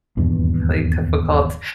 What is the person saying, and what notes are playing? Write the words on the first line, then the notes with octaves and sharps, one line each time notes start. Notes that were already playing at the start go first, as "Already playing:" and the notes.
really difficult.
D#1 E2 G2